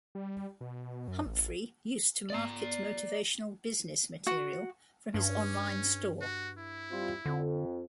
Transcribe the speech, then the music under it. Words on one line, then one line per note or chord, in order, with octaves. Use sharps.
Humphrey used to market motivational business material from his online store.
G3
B2
F#2
A1
D5 A#5
F#4
G2 C#4
F#4
E4
G3 C4 F4
F2 D3